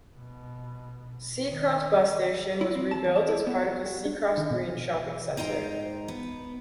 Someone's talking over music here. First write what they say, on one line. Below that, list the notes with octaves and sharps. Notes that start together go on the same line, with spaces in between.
Seacroft bus station was rebuilt as part of the Seacroft Green Shopping Centre.
B2
D#3
E4
C4
A5
E2
A5
E4
B3
G4
D4
D#3
B2
G#2 D#4 C5 G5 A#5
B3